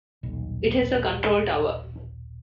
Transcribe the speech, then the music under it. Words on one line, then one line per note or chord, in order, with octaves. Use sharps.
It has a control tower.
D#1 B1